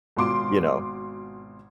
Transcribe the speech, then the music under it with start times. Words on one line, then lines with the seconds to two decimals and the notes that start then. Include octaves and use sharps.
You know?
0.17 G#1 B2 F4 C6 D6 D7